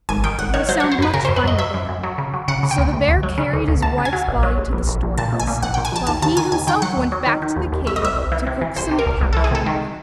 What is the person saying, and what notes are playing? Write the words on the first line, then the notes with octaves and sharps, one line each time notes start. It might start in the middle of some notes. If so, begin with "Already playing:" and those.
It will sound much finer there.' So the bear carried his wife's body to the storehouse, while he himself went back to the cave to cook some pap for the mourner.
G#1 G#5
D#3 G5
G#1 F#5
D#3 C#5
F#3 C5
C#5
F#3
C5
F#2 B4
C#3 A#4
C5
F#2
B4
F#2 D#5
F#3 E5
F#2
F#2
F#3
C#3
F#3
C#3 F#5
C#3
G5
D2
D2
D2
F#3
C#3
D2
D2
D2 A5
C#3
G#5
F#3
A#1
F#3
A#1
A#1
A#1
A#1
A#2 A5
A#1
G#5
A#2
A#1 F#5
G5
A#2
G#5
A#1 A5
D#2 A5
D#2 A5
D#3 G#5
D#2 G#5
D#3 G5
F#3 F#5
D#2
F#3
D#3
D#3
D#2
D#2
C2 E5
D#5
C2 E5
C2
E3
C3
E3
C2 C5
C3
A#4
C2
C2
A4
E3
G#4
C3 A4
D#3